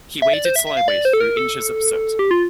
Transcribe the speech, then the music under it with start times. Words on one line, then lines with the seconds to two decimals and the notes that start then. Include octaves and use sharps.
He waded sideways through inches of soot.
0.22 E5
0.33 D5
0.45 C5
0.56 E5
0.67 E5
0.77 F5
0.88 D5
1.05 C5
1.13 A4
1.20 A#4
1.37 A4
2.19 G4
2.31 F4